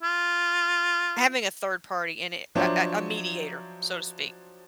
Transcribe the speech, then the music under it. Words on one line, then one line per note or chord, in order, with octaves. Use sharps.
having a third party in it a a, a mediator, so to speak,
F4
F3 F#3 D4 C5 C#5 E5